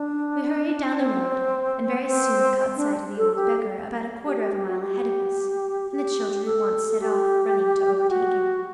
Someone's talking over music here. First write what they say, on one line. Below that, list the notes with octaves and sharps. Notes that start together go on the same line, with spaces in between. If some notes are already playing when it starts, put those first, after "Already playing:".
We hurried down the road, and very soon caught sight of the old Beggar, about a quarter of a mile ahead of us, and the children at once set off running to overtake him.
Already playing: D4
C4
C4
D4
A4
G4
G4
G4
G4
F#4
G4
G4
A4
G4
F#4